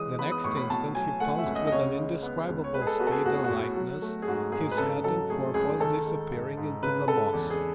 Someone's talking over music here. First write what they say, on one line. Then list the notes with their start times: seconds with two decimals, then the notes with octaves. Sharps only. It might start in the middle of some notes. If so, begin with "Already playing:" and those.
The next instant he pounced with an indescribable speed and lightness, his head and forepaws disappearing into the moss.
Already playing: E3 G#3 D#6
0.19 B3 B5
0.31 D#6
0.44 A2 C#6
0.57 B5
0.70 B2 A5
0.95 F#3 G#5
1.20 A3 F#5
1.38 E5
1.46 C#2
1.55 D#5
1.67 D#5
1.71 C#3 C#5
1.98 G#3
2.23 B3
2.49 C#2
2.64 C#5
2.74 G#3 B4
2.82 G#4
2.87 A4
3.00 B3 F#4
3.07 A4
3.12 G#4
3.25 A2 F#4
3.34 G#4
3.44 F#4
3.50 A2
3.76 F#3
4.02 A3
4.22 G#4
4.28 G#2 F#4
4.52 G#2 G#4
4.71 B4
4.78 C#3 A4
5.04 F#3 A4
5.30 A3 G#4
5.54 C#2 G#4
5.80 D#3 A4
6.06 G#3
6.31 G#2
6.57 G#2
6.82 C#3 B4
7.08 G#3 A4
7.33 E2
7.50 G#4